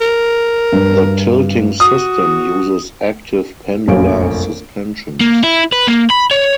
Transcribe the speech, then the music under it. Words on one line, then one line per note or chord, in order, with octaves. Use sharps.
The tilting system uses active pendular suspensions.
A#4
G2
F#4 D#6
F1 A#1 F#2 C#5 F5 D7
A#3
E4
B4
A#3
B5
C#5